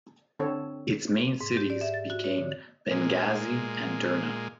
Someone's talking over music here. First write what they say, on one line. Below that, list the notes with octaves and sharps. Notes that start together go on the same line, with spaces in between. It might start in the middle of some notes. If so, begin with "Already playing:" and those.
Its main cities became Benghazi and Derna.
D3 C4 A4 C#5
G#2
G4
D5
E5
A6
F#4
C#5
D3
A#2 G#3